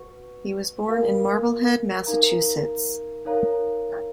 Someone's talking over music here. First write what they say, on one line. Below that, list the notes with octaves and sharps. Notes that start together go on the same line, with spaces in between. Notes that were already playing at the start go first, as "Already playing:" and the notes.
He was born in Marblehead, Massachusetts.
Already playing: F#4 B4 F#5 C#6
F#4 A#4 F5
D#4 A#4 F5 A#5
D#4 A#4 C#5 F5 A#5